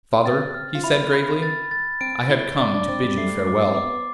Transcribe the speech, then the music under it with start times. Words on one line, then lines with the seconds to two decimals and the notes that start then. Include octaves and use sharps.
'Father,' he said gravely, 'I have come to bid you farewell.
0.25 C4 A6
0.54 F6
0.75 F4
0.84 E4 B5
1.13 B5
1.43 A6
1.71 A6
2.01 C4 D7
2.30 E4 G7
2.59 D4 D6
2.74 D4
2.88 C4 A6
3.03 G3
3.18 A3 C7
3.47 D6
3.67 C4
3.76 B3 D6